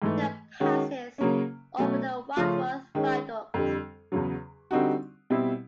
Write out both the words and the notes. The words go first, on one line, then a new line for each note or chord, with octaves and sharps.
It then passes over the Wadworth Viaduct.
G#2 E3 A3
D#3 G#3 C#4 F#4
C#3 F#3 A#3 C#4
B2 F#3 A3 C#4
C#3 F3 A3 C#4 F4
D#3 G#3 C#4
F2 D3 G3
E2 C#3 F#3
D3 G3 C4 D#4 F#4
B2 G3 C4 E4